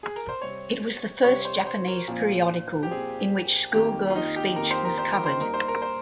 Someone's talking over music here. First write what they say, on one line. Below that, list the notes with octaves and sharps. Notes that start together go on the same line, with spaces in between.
It was the first Japanese periodical in which schoolgirl speech was covered.
G#4
A#4
C5
C3 G3 C4 C#5
C3 G3 C4 C#5
C5
C5
A#4
A#2 F3 C4 F4
G4
A#2 F3 C4 F4 G#4
F2 D#3 A#3 G4
F4
D#4
G4
F2 D#3 A#3 A#4
C5
A#4
C5
A#4
C5
G2 G3 A#3 D#4 A#4
C5
A#4
C5